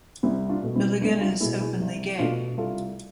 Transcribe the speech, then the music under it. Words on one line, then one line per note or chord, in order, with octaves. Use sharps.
Millegan is openly gay.
C2 C4 E4
D4 F4
B2 A3
C4 E4
C2 B3 D4
D4 F4
B2 A3 E4 G#4
E4 G#4
C2
B2 A3 D4 F4
C2 F4 A4